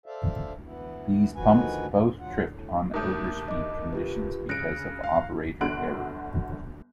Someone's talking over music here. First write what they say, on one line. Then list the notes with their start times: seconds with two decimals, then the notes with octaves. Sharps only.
These pumps both tripped on overspeed conditions because of operator error.
0.06 A4 C5 D5 E5 F5
0.64 E3 B3 E4
1.35 D2 D#3 F3 F#4 B4 G#5
2.19 D#2 F#3 F4 F#5
2.45 A2
2.94 D#2 A3 D6 D#6 G6
3.48 D#5 D6
3.93 F4 G4 B4
4.49 C#3 F#6 A#6 C#7 D7
5.04 F5
5.61 G1 D4 F#4 C6 F#6 D7